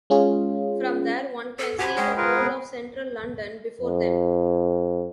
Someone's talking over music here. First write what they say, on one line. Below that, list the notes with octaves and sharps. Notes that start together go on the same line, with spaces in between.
From there one can see the whole of central London before them.
G#3 C#4 F4 G#4
A4
F#4 G4 C5 G#5 B5
G#3 C#4 F#4 G#4 G5
F4 G#4 A#4 B4
B3
F2